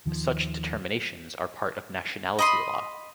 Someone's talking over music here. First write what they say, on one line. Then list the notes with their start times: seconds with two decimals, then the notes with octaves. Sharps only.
Such determinations are part of nationality law.
0.06 D#2 D#3 F3
2.39 D#5 B5 C6